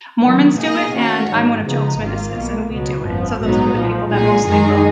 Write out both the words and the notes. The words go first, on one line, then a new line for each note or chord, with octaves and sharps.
Mormons do it, and I'm one of Jehovah's Witnesses, and we do it, so, those are the people that mostly will,
D#3 F#3 B3
B2 A#3 D#4 G#4 D#5
D#3 A#3 C#4 F#4 C#5
G#2 D#3 F#3
C#3 F3 G#3 B3 D#4
G#1 G#2 D#3 A#3 F4
B1 B2 A#3
C#2 B2 F#3 B3
G#1 F#2 F3 B3
A#1 G#2 F#3 B3 D#4
B1 A#2 F3
B1 A#2 G#3 D#4 G#4
F#2 D#3 G#3 D#4 G#4